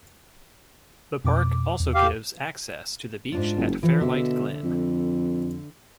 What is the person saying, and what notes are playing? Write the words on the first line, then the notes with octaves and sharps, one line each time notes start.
The park also gives access to the beach at Fairlight Glen.
F2 B2 D6
E2
G4 F5
G#2 D4 F4
F#1
E3 F3
B2 D3 E5
F2